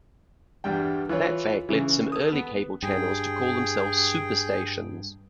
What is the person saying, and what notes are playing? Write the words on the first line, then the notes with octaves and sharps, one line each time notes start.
That fact led some early cable channels to call themselves superstations.
E2 G2 G3 G5
E3 F4 B4 C#5
C#3 E3
A4 D#6
B3
G2 G#4 G5